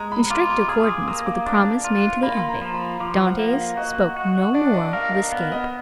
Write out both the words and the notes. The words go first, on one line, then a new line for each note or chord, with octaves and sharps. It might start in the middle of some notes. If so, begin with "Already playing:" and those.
In strict accordance with the promise made to the abbe, Dantes spoke no more of escape.
Already playing: G#3 A#5
B5
F4 D6
D6
G#4 D#6
D6
A#3 D#6
D6
D4 D6
F4
A#3 B5
A#5
F3
B5
F3 D6
F#5
A#3
F5
F#4 D#5
F#4
D4 D5
D#5
A#4 F5
F5
B3
D#5